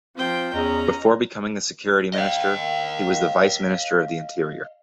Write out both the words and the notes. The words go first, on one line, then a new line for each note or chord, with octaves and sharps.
Before becoming the security minister, he was the vice minister of the interior.
F3 C4 C5 G5
E2 C#4 D#5 A#5
D#5 F5